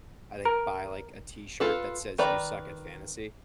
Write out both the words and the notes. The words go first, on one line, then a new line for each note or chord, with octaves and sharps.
I think buy, like, a T-shirt that says, "You suck at fantasy"
A#4
F4 A4 B4
D#3 B4 D5 A#5